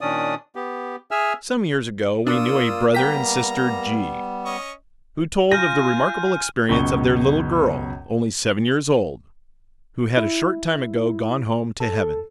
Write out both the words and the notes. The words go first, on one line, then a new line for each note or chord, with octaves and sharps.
Some years ago we knew a Brother and Sister G----, who told of the remarkable experience of their little girl, only seven years old, who had a short time ago gone home to heaven.
A#2 D#3 C#4 D4 D5 D#6
B3 G4
G#4 E5 G#5 E6 F6
A#3 D4 F4 D5 D#6 E6
G3 B3 G5 A#5 B6
C#4 D#5 C#6
F4 G#5 F6 G6 A#6 D#7
C#2 F#2 B2 C#6 G7
E4
A4